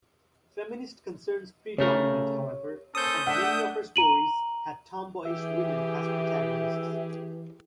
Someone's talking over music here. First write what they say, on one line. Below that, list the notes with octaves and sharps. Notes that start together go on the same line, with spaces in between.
Feminist concerns predominate, however, and many of her stories had tomboyish women as protagonists.
C#3 A3 G4 A#4 C#5
A#3 C#4 A4 C5 D#6 G6
A3 D4 E5 F#5
A#5 D#7 F#7
E3 G4 G#4 E5